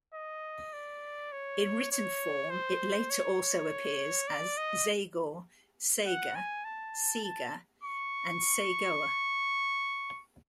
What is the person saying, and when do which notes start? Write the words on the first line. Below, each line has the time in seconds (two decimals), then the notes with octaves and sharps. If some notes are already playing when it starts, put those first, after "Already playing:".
In written form it later also appears as "Zaegor", "Sager", "Seger", and "Cagoer".
0.14 D#5
0.73 D5
1.32 C#5
1.92 C#5
2.50 C5
3.10 C#5
4.28 D5
4.57 D#5
6.06 F#5
6.35 G#5
6.64 A5
7.24 A5
7.83 C#6